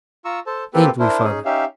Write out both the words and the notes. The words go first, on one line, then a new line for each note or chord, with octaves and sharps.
Ain't we, father?'
F4 A#5 C#6 E6
A4 C5 A5
A#3 C4 F4 G4 A4 B4
D4 E4 A#4 C5
C#4 D#4 G#4
C#4 D#4 G4 E5 F5